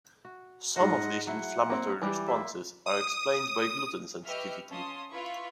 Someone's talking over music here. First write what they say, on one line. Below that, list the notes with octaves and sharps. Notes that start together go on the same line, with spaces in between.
Some of these inflammatory responses are explained by gluten sensitivity.
F#4
G#2 F4 C5 D#5 F#5
F#3 E4 F#5
A#3 C4
E3 G3
A#3 C5 E5
D#6
G4 B4 D#5 E5 C#6 F6
C#4 F5 A5 C6 D#6
E4 F4 B4 F5 B5 C#6